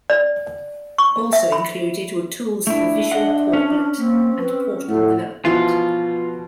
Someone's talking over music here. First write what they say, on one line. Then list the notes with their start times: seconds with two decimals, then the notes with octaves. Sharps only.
Also included were tools for visual portlet and portal development.
0.10 D5
0.98 C#6
1.33 E5
1.52 B5
2.67 A3 D4 E4 E5
3.12 D4 D#5 F#5
3.53 C#4
3.98 A#3 C4
4.39 B4
4.88 A2 A4 F#5
5.45 B2 E3 F3 B3 F4 F#4 B4